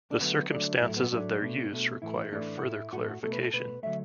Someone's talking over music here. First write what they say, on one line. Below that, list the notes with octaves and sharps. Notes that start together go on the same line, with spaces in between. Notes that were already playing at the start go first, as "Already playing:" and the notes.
The circumstances of their use require further clarification.
D4
D3 F#3 A3 B3
D3 F#3 A3 D4
A2 F#3 A3 E4
B3
A2 F#3 A3 D4
B2 A3
B2 A3
A2 E3 A3 E4
A2 E3 A3 D4
F#4
A2 A3 E4
A2 A3 F#4
A4
F#4
B2 A3 A4
B4
A4
B2 A3 B4
D3 F#3 A3 E5